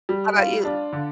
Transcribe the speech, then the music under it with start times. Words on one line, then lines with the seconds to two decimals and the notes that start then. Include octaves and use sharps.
How 'bout you?
0.09 G3
0.37 F4
0.65 D4
0.93 D3